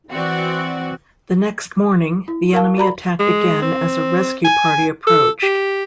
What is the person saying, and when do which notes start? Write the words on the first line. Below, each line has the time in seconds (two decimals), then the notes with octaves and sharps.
The next morning, the enemy attacked again as a rescue party approached.
0.12 E3 C4 F#4 D5
2.28 E4
2.53 A#4 F5 A5
2.77 F#4 D5 A#5 B5
3.20 G#3
3.62 C4
4.45 G#5
5.07 A4
5.43 G4